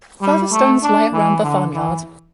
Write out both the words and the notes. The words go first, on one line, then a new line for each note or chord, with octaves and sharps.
Further stones lie around the farmyard.
G3
A3
D4
E3
D3
E3